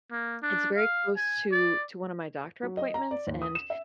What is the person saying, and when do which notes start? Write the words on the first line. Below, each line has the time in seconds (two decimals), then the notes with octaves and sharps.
it's very close to to one of my doctor appointments and,
0.12 A#3
0.42 D4
0.77 F5
1.17 G#5
1.52 D5
2.63 F#3
2.77 D#5
2.94 A#5
3.11 D5
3.27 D#2
3.42 D#6
3.55 E7
3.70 E5